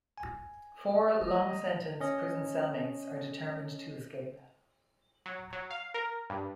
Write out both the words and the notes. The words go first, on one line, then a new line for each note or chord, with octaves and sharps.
Four long-sentence prison cell mates are determined to escape.
G#5
F#3 A3 D#5
C#4 D#5
F#3
F#3
F5
A#4
G2